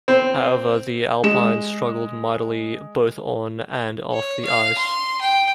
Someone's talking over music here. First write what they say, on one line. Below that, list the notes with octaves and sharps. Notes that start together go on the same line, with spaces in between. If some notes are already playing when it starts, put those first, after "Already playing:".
However, the Alpines struggled mightily both on and off the ice.
C4
G#3 E7
C#5
F5
C6
G5